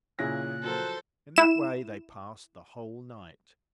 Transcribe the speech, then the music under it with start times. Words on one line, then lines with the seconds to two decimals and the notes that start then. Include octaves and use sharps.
In that way they passed the whole night.
0.19 A#2 C#3 C#4 E4 G#4 F#6 A#6
0.63 F3 F#3 A4 A#4 C5
1.36 E4 E7